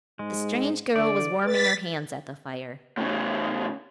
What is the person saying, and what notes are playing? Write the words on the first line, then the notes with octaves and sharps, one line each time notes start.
The strange girl was warming her hands at the fire.
G#2 G#3
D3 D5
B4 A6 B6
A2 C#3